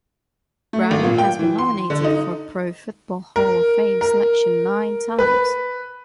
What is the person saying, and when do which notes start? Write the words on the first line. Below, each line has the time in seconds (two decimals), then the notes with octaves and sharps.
Browner has been nominated for Pro Football Hall of Fame selection nine times.
0.73 A3
0.91 G#1
1.03 A#2
1.18 G5
1.39 E3
1.59 C6
1.90 D3
2.04 D#4
3.36 A#4
4.01 A#4
5.19 B4